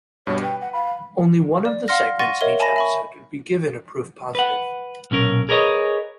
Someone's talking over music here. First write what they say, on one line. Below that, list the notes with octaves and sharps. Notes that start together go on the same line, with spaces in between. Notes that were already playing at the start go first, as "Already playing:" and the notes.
Only one of the segments in each episode would be given a proof positive.
G2 B2 G3 C#5
B4 G5
F#5
F5 B5
D5
F5 F#5 C6 F6 A#6
F#5 C6 C#6 A6 A#6 D#7
A#4 C#5 D#5 E5 G7
G#5 A5 B5 A#6
E5 B5 C#6
B4 F#5
B1 A#2 C#4 A#4
G#4 A#4 B4 C#5 D#5